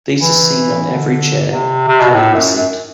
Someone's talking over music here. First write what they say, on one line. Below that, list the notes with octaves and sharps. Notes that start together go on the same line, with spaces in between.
These are seen on every chair, padding the seat.
E3
D3
C3
C3
B2
A2
F#2
F#2